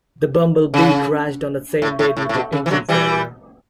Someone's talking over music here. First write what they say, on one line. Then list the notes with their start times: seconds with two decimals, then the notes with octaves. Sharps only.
The Bumble Bee crashed on the same day due to engine failure.
0.74 C#3
1.82 A2
1.99 A2
2.17 A2
2.29 A2
2.35 B2
2.52 C#3
2.66 E3
2.70 D3 F#3
2.89 E3 G3